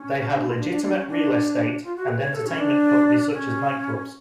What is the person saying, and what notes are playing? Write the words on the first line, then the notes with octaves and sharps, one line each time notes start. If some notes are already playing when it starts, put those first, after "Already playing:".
They had legitimate real estate and entertainment companies such as night clubs.
Already playing: C#4
D4
F4
D4
D4
D4
C#4
D4
F4
F#4
B4
C#5
A4
C#4
D4
C#4